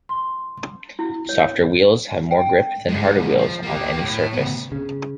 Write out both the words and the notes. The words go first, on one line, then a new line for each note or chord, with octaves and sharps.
Softer wheels have more grip than harder wheels on any surface.
C6
E4
C#5
G5
C2 G#3
F3
A#3 G4
A2
C#3 B3
C#3